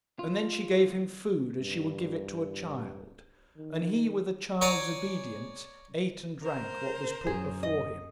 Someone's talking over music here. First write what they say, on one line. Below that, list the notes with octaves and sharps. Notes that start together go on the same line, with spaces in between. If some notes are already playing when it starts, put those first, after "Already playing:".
And then she gave him food as she would give it to a child, and he with a child's obedience ate and drank what was put before him.
F4
G2
D#3
C#5 D5 G#5 A#5
A#4 C5
F#2 G#4
D#5